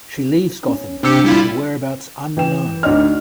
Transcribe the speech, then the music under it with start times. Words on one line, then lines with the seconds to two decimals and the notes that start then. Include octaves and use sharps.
She leaves Gotham, with her whereabouts unknown.
0.68 C#4
1.03 C3 D4 G4 E6 C#7
1.24 G3 E4 F4
2.37 E3 G5 E7
2.83 D2 D#4 D5 D#5 F6